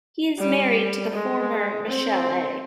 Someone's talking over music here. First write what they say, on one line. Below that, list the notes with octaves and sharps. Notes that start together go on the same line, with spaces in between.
He is married to the former Michele A.
G3
G#3
C4